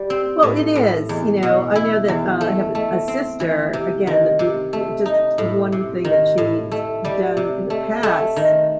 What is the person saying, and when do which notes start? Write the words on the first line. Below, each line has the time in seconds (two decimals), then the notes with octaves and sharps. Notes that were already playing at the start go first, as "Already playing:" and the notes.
Well, it is, you know, I know that, uh I have a sister again, that the just one thing that she's done in the past
Already playing: G3 G4
0.10 C4
0.43 A2
0.75 A2
1.09 E2
1.43 B2
1.75 E4
2.08 E2
2.41 A3
2.75 A3
3.08 C4
3.40 E3
3.73 C3
4.07 D#3
4.39 C3
4.73 A3
5.06 D#4
5.38 A2
5.72 C3
6.05 D#3
6.38 A2
6.72 A3
7.05 G3
7.37 C3
7.70 A3
8.03 A3
8.36 D#3